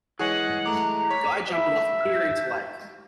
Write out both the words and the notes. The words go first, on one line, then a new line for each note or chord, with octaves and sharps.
Guy jumping off a pier into lake.
E3 G#3 G#4 C#5 F#5 G#5
A3 A#5 D6
C#5 B6
E5